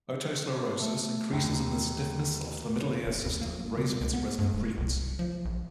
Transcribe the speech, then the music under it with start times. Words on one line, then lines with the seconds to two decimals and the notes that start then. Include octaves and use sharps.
Otosclerosis increases in the stiffness of the middle-ear system, raising its resonant frequency.
0.79 A3
1.32 D#2
3.06 F#1
3.26 D#2
3.41 A#3
3.77 C#3
4.01 C#2
4.13 B3
4.38 G2
4.53 D#1
4.77 C2
5.19 F3
5.45 A#1